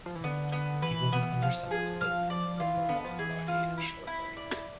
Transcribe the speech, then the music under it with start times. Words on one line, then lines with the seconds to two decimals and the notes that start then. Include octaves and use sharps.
He was an undersized footman, with a long body and short legs.
0.06 F3
0.15 E3
0.24 D3 B3
0.52 B3
0.82 E3 B4
1.13 B3
1.42 F3 F5
1.71 G#4
2.01 F5
2.30 D5
2.60 E3 F4
2.74 E3
2.89 D3 B3
3.04 F3
3.19 E3 G#4
3.48 F4
3.78 E4
4.07 E4
4.37 D5